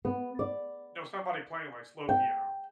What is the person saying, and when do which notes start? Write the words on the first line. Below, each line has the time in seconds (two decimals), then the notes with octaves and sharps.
know, somebody playing, like, slow piano.
0.05 B3
0.39 D5
2.09 G5